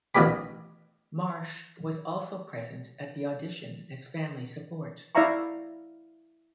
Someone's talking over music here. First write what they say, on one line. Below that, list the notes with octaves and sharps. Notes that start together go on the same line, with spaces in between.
Marsh was also present at the audition as family support.
A1 D#2 B2 B3 G4 B5
E4 D5 E5 F5 A#5 C#6